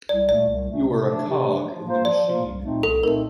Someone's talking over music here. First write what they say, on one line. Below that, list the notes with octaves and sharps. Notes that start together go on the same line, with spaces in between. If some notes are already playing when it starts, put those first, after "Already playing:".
You are a cog in the machine.
C2 D5
A#2 A3 D5
C2
A#2 A3
C3
F3 A3 D4
C3
F3 A3 D4
F3
A#3 F4 C5
F3 D5
A#3 F4 C5
C2
A#2 A3 C4 D#4
C2 A4
A#2 A3 C4 D#4 A#4